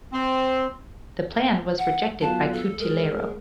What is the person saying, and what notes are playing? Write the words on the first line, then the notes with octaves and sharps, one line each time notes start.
This plan was rejected by Cutileiro.
C4
F#5
F#3 B3 F4 A5
A4
G#3 A#4